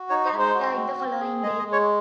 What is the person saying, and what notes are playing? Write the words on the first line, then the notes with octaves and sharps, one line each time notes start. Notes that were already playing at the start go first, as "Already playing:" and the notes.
Kapp died the following day.
Already playing: F#4
D#4 C#5
C5
G#3
C5
F#4
C4
C4
G#4
G#3 D#5
D#5
G#3
C#5